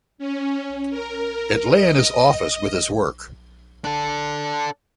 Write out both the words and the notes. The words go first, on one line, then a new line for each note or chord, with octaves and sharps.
It lay in his office with his Work.
C#4
A#4
D#5
D4 A4